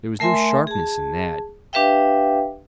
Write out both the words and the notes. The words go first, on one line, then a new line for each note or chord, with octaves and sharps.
There was no sharpness in that.
A3 A#4 E5 G#5 C6
G#4 A5
D4 G4 B4 E5 F5 G5